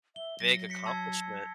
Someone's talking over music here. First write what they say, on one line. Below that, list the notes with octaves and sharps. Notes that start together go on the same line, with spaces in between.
big accomplishment.
E5 G7
F#3 A#6
B6 C#7
A5 E6 G#6